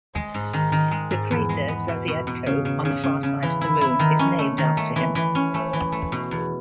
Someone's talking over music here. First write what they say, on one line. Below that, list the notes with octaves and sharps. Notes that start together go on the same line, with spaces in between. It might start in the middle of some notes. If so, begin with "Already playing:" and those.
The crater Zasyadko on the far side of the Moon is named after him.
G#3
G#2
D#3
D#3
G#3
G#2
E2
G#3
B3
B2
B2
B2
C#3
C#3
C#3
C#3
C#3
E3
E4
E4
D#3
C#4
A3
D#3
A3
E3
E3
C#4
A3
E3
A3
B2
E2